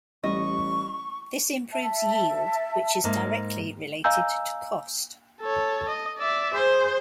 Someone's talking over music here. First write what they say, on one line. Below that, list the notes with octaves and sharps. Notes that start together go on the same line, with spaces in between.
This improves yield, which is directly related to cost.
A1 G3 D#5 C#6
E5 A5
G#2 A#3
D#5 F5 G#5 A#5 E6 G6
A4 C#5
D#5
D5 E5
G#4 C5